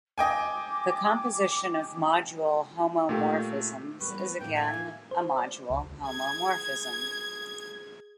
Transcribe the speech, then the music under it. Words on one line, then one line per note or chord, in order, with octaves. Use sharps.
The composition of module homomorphisms is again a module homomorphism.
D#5 G5 G#5 D6
A#2 A3 G4
E2 G3 A#3 B4 C#6
F3 B3 C4
F2 A2 E3 A#3 G5
A3 F4 E5 G#5
D#3 F5
C5
D5
C#2
G#4 G#6